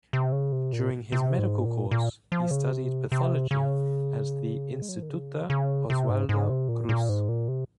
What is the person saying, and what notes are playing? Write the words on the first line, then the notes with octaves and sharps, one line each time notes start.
During his medical course, he studied pathology at the Instituto Oswaldo Cruz.
C3
C#3
C3
A#2
C3
G#2
A#2
A#2
F3
C#3
C3
C3
C#3
G#3
F#3
F3
D#3
C#3
C#3
C3
G#2
G#2
C3
A#2
A#2
G#2
A#2
C3